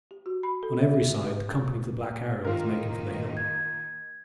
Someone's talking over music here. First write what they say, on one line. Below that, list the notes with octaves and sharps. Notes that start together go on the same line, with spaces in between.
On every side the company of the Black Arrow was making for the hill.
G4
F#4
B5
A4
E5
E5
G4
B4
D#3 A#3 D#4 F4 A#4
G#6